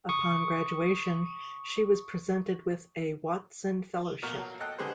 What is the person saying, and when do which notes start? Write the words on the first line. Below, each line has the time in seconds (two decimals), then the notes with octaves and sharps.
Upon graduation, she was presented with a Watson Fellowship.
0.09 C#6 D#6
4.22 A#1 B2 A#4 C#6
4.38 F#3
4.60 A4 D#5 G5 F#6
4.78 D3 G3 G#3 G#4 B4 C5